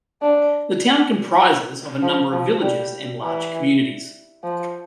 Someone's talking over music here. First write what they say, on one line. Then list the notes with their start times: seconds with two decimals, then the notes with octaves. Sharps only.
The town comprises a number of villages and larger communities.
0.22 D4
2.03 F3
2.33 F3
2.62 G3
3.22 E3
4.44 F3